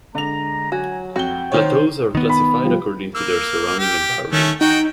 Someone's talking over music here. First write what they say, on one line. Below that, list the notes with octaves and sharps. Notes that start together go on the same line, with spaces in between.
Plateaus are classified according to their surrounding environment.
D3 G#3 A#5 F7
F#3 F#4 G#5
F2 F#4 G5 G7
D#3 C5 C#5
D#3 B3
B5
F3 G3
A#3 E6
G4
D#3 A3 C#4
D#4 F#4 G5